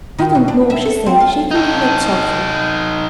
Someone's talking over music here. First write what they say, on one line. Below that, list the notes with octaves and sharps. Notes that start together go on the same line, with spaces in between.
"I don't know," she said, shaking her head thoughtfully.
D#3
B2
D4
E5
A4
C4
F4
D#4 A4